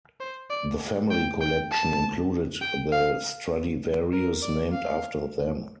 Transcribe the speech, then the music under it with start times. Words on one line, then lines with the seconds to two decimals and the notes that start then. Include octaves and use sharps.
The family collection included the Stradivarius named after them.
0.20 C5
0.50 D5
1.11 G5
1.41 G5
1.71 A5
2.61 G5
2.92 F5
4.12 A#4
4.42 D5
4.72 F5